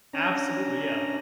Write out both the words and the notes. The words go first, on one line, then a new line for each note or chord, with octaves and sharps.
Absolutely, yeah.
C#4 D4 A#5